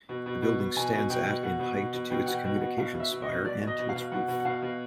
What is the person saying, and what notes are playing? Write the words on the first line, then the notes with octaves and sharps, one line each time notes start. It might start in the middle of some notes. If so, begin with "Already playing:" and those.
The building stands at in height to its communications spire and to its roof.
B2
B2
B2
B2
B2 G#5
B2
B2 G5
B2
B2 F#5
B2
B2
B2
B2 G5
B2 F#5
G5
B2
F#5
B2
B2 F5
B2
E5
B2
D#5
B2
B2 D5
B2
D#5
B2
F5
B2
B2 F#5
B2
F#5
B2 F5
B2